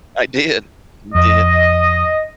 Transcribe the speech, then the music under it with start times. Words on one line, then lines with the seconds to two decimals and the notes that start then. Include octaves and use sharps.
I did. Mm did.
1.15 F2 D#5